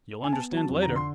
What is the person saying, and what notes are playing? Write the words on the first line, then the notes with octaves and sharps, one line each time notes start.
You'll understand later....
G#5
B3 A5
F#3 A5
F2
A#5
D3
C6